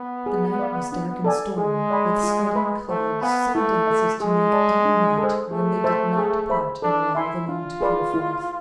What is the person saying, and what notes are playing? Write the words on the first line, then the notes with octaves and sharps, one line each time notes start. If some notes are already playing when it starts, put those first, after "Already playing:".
The night was dark and stormy, with scudding clouds, so dense as to make deep night, when they did not part and allow the moon to peer forth.
Already playing: B3
G#4
D5 F5
D4
A4 D5 G#5
G#3 G#4
D5 G#5 B5
F4
B4 E5 B5
A3 C5
B3 F5 G#5 B5
A3 E4
A4 E5
G#3 G#4
D5 A5
D4
A4
C5
A3 G#4
C5 E5 A5
G#4
C5 E5 B5
D4 A4
E4 E5 G#5 C6
D4 F4
G#4 B4 D5
E4